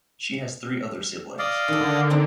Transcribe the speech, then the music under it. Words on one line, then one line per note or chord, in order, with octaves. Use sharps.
She has three other siblings.
D5 D#5 F5
D#3 A4
D3
C4 D#4